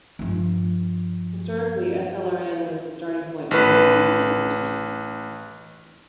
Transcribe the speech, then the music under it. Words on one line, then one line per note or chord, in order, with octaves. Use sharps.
Historically slrn was the starting point for many Usenet users.
G2 F3
A1 B4